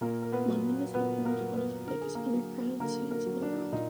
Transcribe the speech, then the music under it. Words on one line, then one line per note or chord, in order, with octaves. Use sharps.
London is the home of one of the biggest underground scenes in the world.
A#2 A#3 A#4
A#4
B3 B4
F#3
A#2 B3 B4
A#3 A#4
F#3
B3 B4
D3 A#4
G#4
A#3 A#4
F#3
D3 A#3 A#4
A#3 A#4
F#3
D4
A#2 D#4